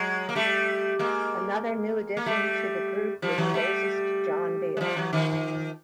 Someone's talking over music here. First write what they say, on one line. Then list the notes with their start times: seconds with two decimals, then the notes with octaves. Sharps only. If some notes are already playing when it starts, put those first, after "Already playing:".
Another new addition to the group was bassist John Beal.
Already playing: F#3 G#3
0.29 A#3
0.35 G3 A3
0.99 G#3 A#3
2.17 A#3
2.26 G3 A3
3.22 F3 G3
3.38 E3 F#3
3.54 G3 A3
4.77 G#3
4.81 F3 G3
4.96 E3 F#3
5.13 D#3 F3